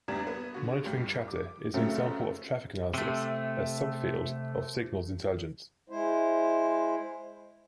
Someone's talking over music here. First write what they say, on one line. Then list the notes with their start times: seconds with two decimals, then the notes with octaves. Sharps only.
Monitoring chatter is an example of traffic analysis, a sub-field of signals intelligence.
0.08 E2 G3 D4 G#6 E7
0.27 B3
0.54 D3 F#4
0.85 B1 G2 G3
1.28 D6
1.74 F#2 A2 C#3 A3 C4
2.94 C3 A3
5.90 G#3 E4 C5